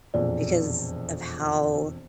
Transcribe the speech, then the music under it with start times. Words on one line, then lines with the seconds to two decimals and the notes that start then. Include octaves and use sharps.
because of how
0.14 E1 F2 A#2 D5